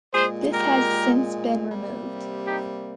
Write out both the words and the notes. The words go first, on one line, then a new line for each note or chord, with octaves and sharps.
This has since been removed.
A#2 G#3 G#4 C5
G4 A#4
C3 G3 A#3
D#4 G4